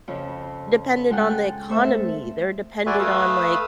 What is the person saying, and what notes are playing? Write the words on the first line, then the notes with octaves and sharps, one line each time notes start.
dependent on the economy, they're dependent on, like,
F2 C#3
G#3 F4 A4 F#5 G5
A3 C4 A4 E5 F5
F#4 B4 D5 E5 G#5 C6
A3 B4 F5 D#6 E6